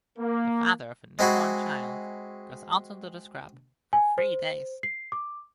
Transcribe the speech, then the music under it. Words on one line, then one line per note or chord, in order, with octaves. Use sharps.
The father of a newborn child goes out into the scrub for three days.
A#3
G#3 C4 E4 F#4 G#4
G#5
C5
C7
D6